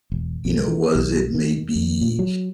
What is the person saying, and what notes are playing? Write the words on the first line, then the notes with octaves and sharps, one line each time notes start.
You know, was it maybe,
E1
B1
E3
B1
D#3
F2
A#2
F#3